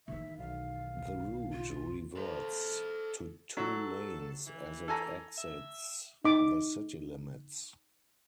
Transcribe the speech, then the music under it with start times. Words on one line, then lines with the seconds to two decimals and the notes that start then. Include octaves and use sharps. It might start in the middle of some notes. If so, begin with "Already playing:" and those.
The route reverts to two lanes as it exits the city limits.
0.08 D#3 E3 E5
0.38 B1 F5
1.52 F4
2.16 A4 C5
3.57 F#3 A4
4.47 E3
4.88 A4 G#5 A#5
5.38 E5
6.25 D#4 D6